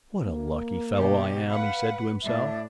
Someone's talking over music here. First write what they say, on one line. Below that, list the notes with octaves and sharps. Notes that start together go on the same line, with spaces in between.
"What a lucky fellow I am!" he said to himself.
A#3
B2 G4
B4 F5 F#5
A2 D4 E5